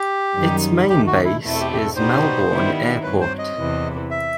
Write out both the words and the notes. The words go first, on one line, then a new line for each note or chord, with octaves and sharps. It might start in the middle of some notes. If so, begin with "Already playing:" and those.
Its main base is Melbourne Airport.
Already playing: G4
F#2 D#3 G3 D#4
D#2 D#3 A3 G4
F#4
E4
E2 B2 A3 C4 E4
A4
G4
G4
A4
B2 G3 B3 D#4 C5
D#3 G3 B3 E4
G2 F#3 C4 B4
C5
D#5
E2 C3 E3
E5